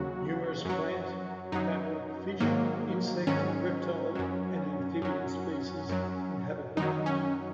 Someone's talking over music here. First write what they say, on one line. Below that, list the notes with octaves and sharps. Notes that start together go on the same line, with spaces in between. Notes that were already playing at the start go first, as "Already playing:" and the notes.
Numerous plant, mammal, fish, insect, reptile and amphibian species inhabit the marsh.
Already playing: D#2 C#3 F#3 F#4
F#2 F#3
F#2 F#3 D#4
G#2 D#3 F#3 A#3
G#2 D#3 F#3 C#4
F#2 F#3
F#2 F#3
F#2 F#3
F#2 D#3 F#3 D#4
C#4